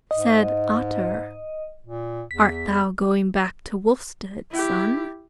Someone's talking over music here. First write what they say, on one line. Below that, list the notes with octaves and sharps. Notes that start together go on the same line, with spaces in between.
Said Otter, "Art thou going back to Wolfstead, son?"
G#2 D#5
A#2
E2 B6
E4 G4